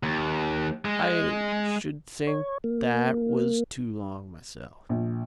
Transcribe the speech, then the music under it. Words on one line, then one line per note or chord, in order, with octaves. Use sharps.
I should think that was too long myself.
D#2
G#3
C#5
A#3
A#1